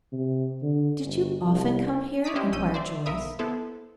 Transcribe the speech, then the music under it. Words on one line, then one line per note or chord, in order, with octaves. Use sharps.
"Did you often come here?" inquired Joyce.
C3
D3
G1
C2
C#5 D5 D6 D#6 B6
C#4 D4 E4 G4 C5 D#5
B1 F3 C#4 E6 G6 D#7
C5 D5 E5
B1 A#4 E5 F5 B5 D#6
B3 E4 A4 C5